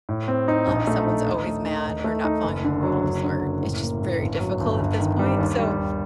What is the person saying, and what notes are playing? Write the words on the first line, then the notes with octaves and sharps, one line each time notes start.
um, someone's always mad or not following the rules, or it's just very difficult at this point, so,
A2
C4
D#4
A#1
A3
D#4
D#2
A3
D#4
D#2
A3
D#4
F#1
D3
F#3
F#1
D3
F#1
A2
A#3
A2
G1
F#3
G1
G1
D#3
G3
D#2
G3
D#2